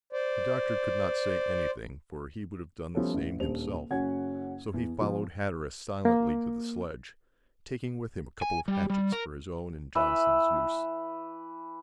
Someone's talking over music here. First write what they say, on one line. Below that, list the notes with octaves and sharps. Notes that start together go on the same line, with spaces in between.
The Doctor could not say anything, for he would have done the same himself, so he followed Hatteras silently to the sledge, taking with him a couple of hatchets for his own and Johnson's use.
C5 D5
F3 G3 A3 B3 C#4 A4
A1
D#1 D4 G4 C5 F7
F#1 F#3 C#4 F#5 G#5 G#6
E2
B2 F3
A#3
G#5
G3
G3
A#4
E3 B4 E5 B5